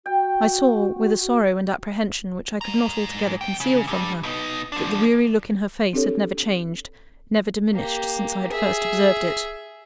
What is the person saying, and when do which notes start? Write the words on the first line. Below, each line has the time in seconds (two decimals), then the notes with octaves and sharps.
I saw, with a sorrow and apprehension which I could not altogether conceal from her, that the weary look in her face had never changed, never diminished since I had first observed it.
0.06 F#4 G5
2.61 G#2 A#5
3.41 E2 G5
3.60 C#3
3.87 G2 G3
4.23 B2 D#4
4.72 F3 D4
5.93 C4 D4 G4 A4 C#5
7.73 A#3 G4
8.51 G#4 E5